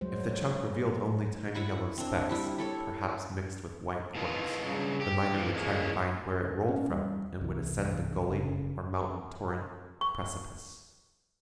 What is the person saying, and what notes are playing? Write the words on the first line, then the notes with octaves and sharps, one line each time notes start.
If the chunk revealed only tiny yellow specks, perhaps mixed with white quartz, the miner would try to find where it rolled from and would ascend the gully, or mountain torrent, or precipice.
F#3 G#3 C5
E4 F#5 B5 C#6
C4 D4
G3 E4 G4
E4 A4 C#5
B2 D#3 E3 B3 F4
G2 C#3 F#3
G4
E3 F3
E3 G#3 A#3 B3 C#4
C#4
G3
C2 E3
F#1 C#3
C#6